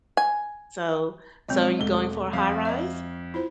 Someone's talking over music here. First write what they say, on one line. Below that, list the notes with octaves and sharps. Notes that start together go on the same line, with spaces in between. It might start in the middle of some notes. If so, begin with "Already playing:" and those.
so so you going for a high-rise?
G#5
B1 G#3 C4 D#5
E1 G#3 A3 G7
F2 F5
D#5 E5
E4 F4 C5